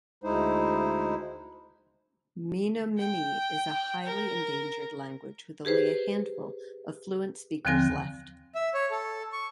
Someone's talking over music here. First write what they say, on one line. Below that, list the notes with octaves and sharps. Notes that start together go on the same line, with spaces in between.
Menominee is a highly endangered language, with only a handful of fluent speakers left.
D2 G#3 D#4 E4 C5
G5
A#4
G4 G#4 B4 C5
D#2 D3 F3 C4 G#5 A#6
E5
C#5
A4
C#6